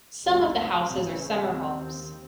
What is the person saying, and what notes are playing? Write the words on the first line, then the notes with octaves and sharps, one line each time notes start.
Some of the houses are summer homes.
F1 C2 F#2 C#3 A3 C#4
A1 C#3 A3 C4
D#2 C4